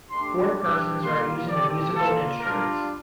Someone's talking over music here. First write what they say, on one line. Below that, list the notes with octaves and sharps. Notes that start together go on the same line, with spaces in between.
Four persons are using the musical instruments.
A3 D4 G4 C6
G3 D4 G4 D6
G3 A#3 F4 C6
A3 C4 G4 D5
A#3 F4 A4
G3 D4 F4 A#4